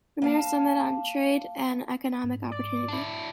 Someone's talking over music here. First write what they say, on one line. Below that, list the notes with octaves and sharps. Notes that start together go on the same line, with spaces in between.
Premier's Summit on Trade and Economic Opportunity.
A#3 F5 A5
G#2
D5
D4 E4